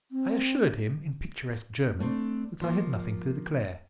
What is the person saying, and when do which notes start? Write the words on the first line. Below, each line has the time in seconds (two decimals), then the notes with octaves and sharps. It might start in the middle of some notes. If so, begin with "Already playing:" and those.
I assured him in picturesque German that I had nothing to declare.
0.12 C4
2.00 A3 C4 D4
2.61 F3 A#3